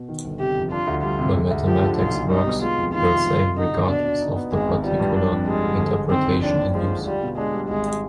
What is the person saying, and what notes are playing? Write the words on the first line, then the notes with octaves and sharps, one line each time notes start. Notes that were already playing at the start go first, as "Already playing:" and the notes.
The mathematics works the same regardless of the particular interpretation in use.
Already playing: B2
D#3
G1
C3 G4
F2
D4 F4
D2
G3 F4
C3
G#3
D2
F3 G4
D3
B1 F4
B1
G3 D#4
B2
G#3 F4
F2
D#3 F4
C3
G3
F1
D3 D#4
D#2
B2 D4
B2
D#4
B3
G#1 G#3
G#1
F3 G3
G2
D4
F2
G3 G#3
D3
G1
G1
D#3 C4
F2
D#2 D4
D#2
F3 G#3
D3
G3 F4
B2
G#3 D4
G3
G#1 G#3